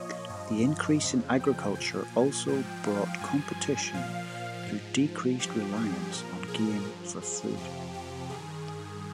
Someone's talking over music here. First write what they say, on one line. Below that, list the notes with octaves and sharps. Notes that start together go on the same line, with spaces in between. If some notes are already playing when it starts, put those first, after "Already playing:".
The increase in agriculture also brought competition through decreased reliance on game for food.
Already playing: A#2 F3 C#5 D#5
G2 F3 D#5
F2 C#3 F3
G5
A#2 F3 G#5
G#2 F3 G5
F5
G2 F3 G#5
A#2 F3 F5
G#2 F3
G2 F3 G4
G#4
A#2 F3 A#4
G#4
G2 F3
G#4
F2 C3 F3 G4
G4
G2 D#3 G#4